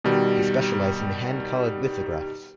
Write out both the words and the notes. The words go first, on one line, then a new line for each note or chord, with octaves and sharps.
He specialized in hand-colored lithographs.
B2 D#3 G3